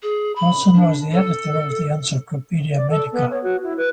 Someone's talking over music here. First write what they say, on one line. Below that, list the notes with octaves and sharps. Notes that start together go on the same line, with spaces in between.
Watson was the editor of the "Encyclopaedia Medica".
G#4
B5
D4
A4
D5
A4
B3
C#5
F#4
E4
B4